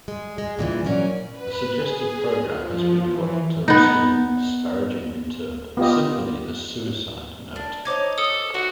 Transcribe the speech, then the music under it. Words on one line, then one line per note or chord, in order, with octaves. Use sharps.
A suggested program has been what Taruskin disparagingly termed symphony as suicide note.
G#3
G#3
G2 A#2 D3 E3
F#3 C#4 A#4 D5
B4
G#4
F3
E3
B3 D#4
B3 F4 G4 D#5
D4
D#4 C5 C#5 D#5 D6 G#6
A4 D#6
F#4 G4